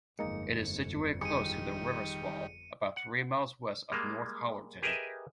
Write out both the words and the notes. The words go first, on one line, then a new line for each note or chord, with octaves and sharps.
It is situated close to the River Swale, about three miles west of Northallerton.
G1 F2 G#3 A#3 D#4 C#7
D#3 G3 G#4 C#7 D#7
F#5
G3 G#3 A#3
G4 G#4 A#4 B4 D#5 E5